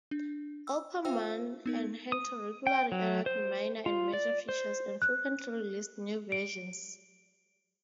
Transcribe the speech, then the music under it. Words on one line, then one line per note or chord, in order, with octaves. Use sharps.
Oppermann and Henter regularly added minor and major features and frequently released new versions.
D4
E6
F4 C5 E5 F5 G5 E6
B3 D#4 A#4
D#6
G5
F#3
C5
F4
D5
C5
F#6
D7